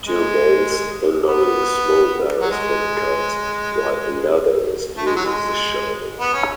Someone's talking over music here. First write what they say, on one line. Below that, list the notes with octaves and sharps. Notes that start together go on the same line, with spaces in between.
Two males unloading small barrels from a cart, while another uses a shovel.
G#3
B3
F#3
G#3
A3
G#3
F#3
G#3
B3
C#4